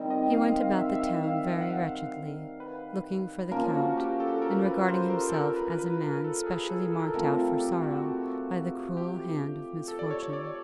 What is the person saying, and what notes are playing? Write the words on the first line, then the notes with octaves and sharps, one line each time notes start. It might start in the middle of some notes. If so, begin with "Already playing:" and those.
He went about the town very wretchedly, looking for the Count, and regarding himself as a man specially marked out for sorrow by the cruel hand of misfortune.
Already playing: D#3 G3 C4
D#5
F5
F5
E5
E5
F5
F5
E5
F#5
F5
B4
F3 A#3 C#4 F4 A#4
F#4
G4
A4
A#4
B4
C5
A#4
A4
A#4
B4
B4
A#4
A4
G#4
A4
A4
A#4
A4
F3 A3 C4 A#4
A4
G4
F#4
F#4
G4
A4
D5
C#5
D5